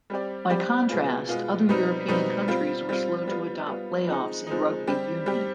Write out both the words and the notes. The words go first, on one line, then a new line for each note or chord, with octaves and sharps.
By contrast, other European countries were slow to adopt playoffs in rugby union.
G3 C4 G4 D5
G3 C4 G4 D5
B2 G#3 B3 F4
B2 G#3 B3 F4
B2 G3 C4 D#4
B2 G3 C4 D#4
G3 C4 F4
G3 C4 F4
G3 B3 F4
G3 B3 F4
F3 G#3 C4 D#4
F3 G#3 C4 D#4
G3 C4 G4
G3 C4 G4